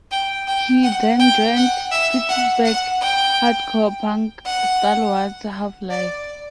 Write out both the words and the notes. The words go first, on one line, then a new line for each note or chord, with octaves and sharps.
He then joined Pittsburgh hardcore punk stalwarts Half Life.
G5
G5
F#5
G5
F#5
E5
F#5
F#5
G5
F#5
D5